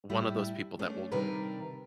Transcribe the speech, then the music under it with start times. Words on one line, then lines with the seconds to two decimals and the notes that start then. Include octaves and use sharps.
one of those people that will
0.10 A2 G3 E4
0.79 A3 C#4 D4
1.11 C3 D#3 G3 D4 A#4 B4